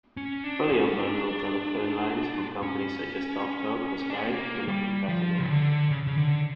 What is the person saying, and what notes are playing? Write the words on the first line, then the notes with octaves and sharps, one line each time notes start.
Fully unbundled telephone lines from companies such as TalkTalk or Sky were not compatible.
C#4
D4
C#4
D4
C#4
D4
C#4
A#3
G3
F3
C#3
D3
C#3
C#3
D3